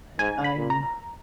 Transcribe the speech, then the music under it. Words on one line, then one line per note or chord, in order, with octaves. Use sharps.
But I'm
G#2 G#5
B5
A#2
A#5